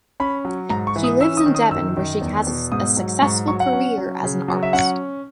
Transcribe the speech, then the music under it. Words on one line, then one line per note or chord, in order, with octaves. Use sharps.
She lives in Devon where she has a successful career as an artist.
C#4 B5
F#3
G#2 A#5
C#6
E3
D#6
C#4 E6
D#6
D#3
D#6
F#2 E6
D#3
E2
B2
G#2 D#6
F#3
G#2 C#6
F#3 C#6
F#5
C#4
F#3
C#3
F#3
E5
C#4 F#5